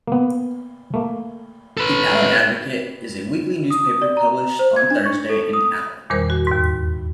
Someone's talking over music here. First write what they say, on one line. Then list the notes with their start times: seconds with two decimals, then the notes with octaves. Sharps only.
The "Allen Advocate" is a weekly newspaper published on Thursday in Allen.
0.08 A#3 B3
0.94 A3 A#3
1.77 A4 B4
3.70 D#6
4.02 D5
4.17 A#5
4.59 C5
4.76 G#6
4.91 D4
5.06 C#6
5.29 A4
5.53 D#6
6.10 E2 A#2 D#3 G3 A#4 C5
6.30 F#4
6.47 D#2 G#2